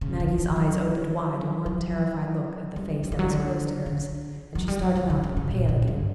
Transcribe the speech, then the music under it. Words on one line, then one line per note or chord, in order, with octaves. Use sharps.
Maggie's eyes opened wide in one terrified look at the face that was close to hers, and she started up, pale again.
C#3
D3
E3
F#3
F#3
G3
F#3
E3
F#3
D3
D3
F#3
G3
F#3
E3
D3
C#3
C#3
A#2
A#2
G2